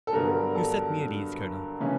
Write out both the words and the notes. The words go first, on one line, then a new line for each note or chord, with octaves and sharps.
"You set me at ease, Colonel."
A4
G2 D3 F#3 B3 A#4
A4
C#3 E3 G#3 C#4